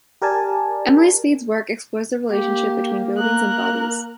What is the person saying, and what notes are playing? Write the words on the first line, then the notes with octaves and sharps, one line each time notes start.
Emily Speed’s work explores the relationship between buildings and bodies.
G4 A#4 D5 G#5 A5
A#3 G4
A#4 F#6